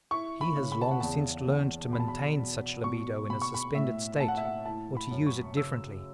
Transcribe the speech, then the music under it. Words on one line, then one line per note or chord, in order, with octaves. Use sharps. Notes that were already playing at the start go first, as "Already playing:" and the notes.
He has long since learned to maintain such libido in a suspended state or to use it differently.
E4 C#6
B5
C#3
B5
A5
F#5
E2 A5
E2
B2 B5
A5
B5
B2
B2 C#6
B2 B5
C#6
B5
A2 E5
A2 A5
F#5
E5
F#5
E4 A5
B5
F#2
C#6
C#3 E6